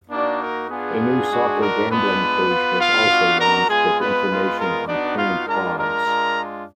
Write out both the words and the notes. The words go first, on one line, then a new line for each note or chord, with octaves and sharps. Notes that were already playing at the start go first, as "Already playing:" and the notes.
A new soccer gambling page was also launched, with information on current odds.
A#3 D4 D#4 F#4 D5
A#4
B3 D4 F4 G#4
G#3 D4 F#4
A#4
G#3 B3 D4 F4 B4
B3 F4
F4 F5
B3 D4 F#4
A#4 A#5
G#3 B3 F4 G#4 G#5
B3 B4
G#3 B3 F4
A#4
B3 D4 D#4 F#4 D5
F4 F5
G#3 D4 F4 A#4 A#5
A#4 A#5
G#3 D4 F4